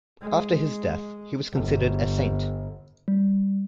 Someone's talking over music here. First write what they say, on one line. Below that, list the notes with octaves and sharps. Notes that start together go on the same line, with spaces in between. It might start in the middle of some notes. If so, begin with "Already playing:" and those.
After his death he was considered a saint.
G#3
G1
G3